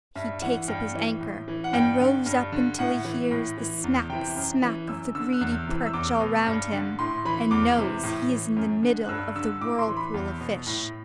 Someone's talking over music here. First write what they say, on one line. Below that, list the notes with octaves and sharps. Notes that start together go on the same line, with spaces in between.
He takes up his anchor, and rows up until he hears the smack, smack of the greedy perch all round him, and knows he is in the middle of the whirlpool of fish.
G2 E5
E3 F#5
G2 G5
E3
A2
E3
F#5
G2 G5
D3
G2
D3
A2 F#5
E3
A2
E3
E2
C3 E3 G5
F#2
E3
F#2 E6
D3 E6
F#6
E2 E6
C3 E3
E6
E2 D6
B2
G2
D3
A2 C6
E3 B5
E2 D6
C3 E3
A2
E3
F#2
D3
F#6
G2 E6
D3 E6
A2 D6
C6
E3
B5
E2
B2
A2